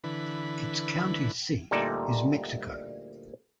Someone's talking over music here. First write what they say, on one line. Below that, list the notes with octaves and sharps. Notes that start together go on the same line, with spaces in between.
Its county seat is Mexico.
D3 E3 B4
D2 A#2 G3 D#4 A4 D5